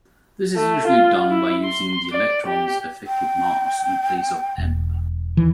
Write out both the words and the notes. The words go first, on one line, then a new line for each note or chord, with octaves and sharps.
This is usually done by using the electrons' effective mass in place of "m".
A3
F4
E4
C6
D5
G4
G5
E1
D#2 E3